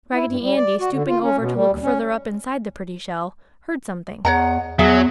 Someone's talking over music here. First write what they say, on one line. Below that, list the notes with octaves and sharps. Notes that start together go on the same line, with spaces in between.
Raggedy Andy, stooping over to look further up inside the pretty shell, heard something.
E4
G2
G3
D5
F#4
D3
F4
C#4
B2
G3
D#2
C#4
E2 C#5 D#5 F#5 A#5
E2 F#3 B3 G#4 E5